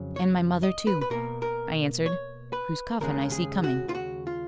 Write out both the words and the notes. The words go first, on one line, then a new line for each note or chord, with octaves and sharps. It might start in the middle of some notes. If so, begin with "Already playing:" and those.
"And my mother, too," I answered, "whose coffin I see coming."
Already playing: F2 C#3 F#3
C#5
D#5
B4
B4
B2 A#3 A#4
A#4
C#5
B4
D#2 C#3 G#3 A#4
G#4
F#4
F4
F#4
F4